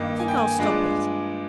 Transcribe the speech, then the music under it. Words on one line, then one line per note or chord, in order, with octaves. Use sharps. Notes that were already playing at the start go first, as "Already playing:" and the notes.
I think I'll stop it.
Already playing: G2 D#3 A#3 D#4 G5
G#5
G5
G#5
G2 F3 G#3 D4